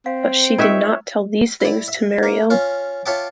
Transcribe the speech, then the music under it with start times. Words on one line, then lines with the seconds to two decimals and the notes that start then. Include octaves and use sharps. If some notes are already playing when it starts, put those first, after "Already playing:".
But she did not tell these things to Muriel.
0.06 C4 F5
0.58 D#4 F4 A#4 C5 C#5 E5 G5
1.61 E4 D5
1.88 E5
2.23 A#3
2.50 C#4 F4
3.06 F4 C#5 E5 G5 A5 D6